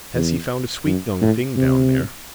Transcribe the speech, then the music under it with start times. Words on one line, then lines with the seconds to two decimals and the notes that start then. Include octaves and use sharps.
Says he found a sweet young thing down there.
0.14 E2
0.86 F#2
1.21 A2
1.56 C3